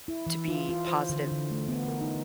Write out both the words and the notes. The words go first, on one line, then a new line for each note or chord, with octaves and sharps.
to be positive
E4
E3
F4
F4
C5
D3
D3
A3
B3
A#4
D#4